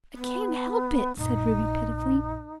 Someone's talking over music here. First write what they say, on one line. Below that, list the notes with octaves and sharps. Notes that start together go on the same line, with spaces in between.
"I can't help it," said Ruby pitifully.
B3
A#1 F#2 D#4